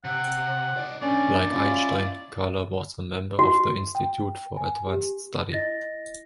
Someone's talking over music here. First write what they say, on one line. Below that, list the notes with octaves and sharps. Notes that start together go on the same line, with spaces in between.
Like Einstein, Kahler was a member of the Institute for Advanced Study.
C3 F#5
D#4 D5
A#3 C#4 D4 D5
C#4 E4 F4
F#4
G5
G#5
G4
E4 D#5 A6 A#6